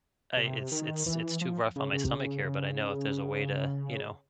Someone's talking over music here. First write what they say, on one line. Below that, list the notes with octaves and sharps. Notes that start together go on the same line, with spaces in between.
I it's it's it's too rough on my stomach here, but I know if there's a way to you know,
C3
D#3
E3
F3
C#3
C#3
C3
C#3
C#3